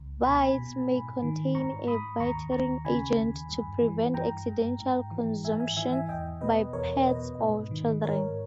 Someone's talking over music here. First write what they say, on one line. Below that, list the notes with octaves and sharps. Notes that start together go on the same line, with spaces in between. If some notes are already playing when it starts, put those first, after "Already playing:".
Baits may contain a bittering agent to prevent accidental consumption by pets or children.
Already playing: C#2
B2 G#5 B5
B2
G#2
D#3
G#2 A#5 C#6
G#2 B5 D#6
D#2 A#5 C#6
D#2 A#5 C#6
C#3 G#5 B5
D#2
G2
E3
G2 G5 A#5
G2
G#2
E3
G#2 E5 G#5
E5 G#5
E3 E5 G#5
E5 G#5
E2 D#5 G5
B2 B4 D#5
E2 A#4 C#5
B2 B4 D#5
G#2
D#3
G#2 A#4 C#5